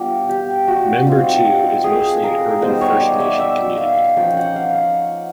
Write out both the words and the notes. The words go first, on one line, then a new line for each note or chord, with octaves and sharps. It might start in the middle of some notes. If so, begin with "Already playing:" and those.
Membertou is mostly an urban First Nation community.
Already playing: G3 B3 D4 F4 G4
G4
F#4
G3 C4 D#4 F4
G#4
A#4
G3 B3 D#4 C5
C#5
D5
E5
E5
F5
F3 A#3 C#4 G5
F#5
F5
F#5